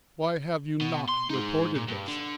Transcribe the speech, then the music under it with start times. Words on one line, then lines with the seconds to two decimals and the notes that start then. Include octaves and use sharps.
Why have you not reported this?
0.81 B2
1.09 C6
1.30 D#4 G#4
1.75 A#2
1.88 G2
2.08 D3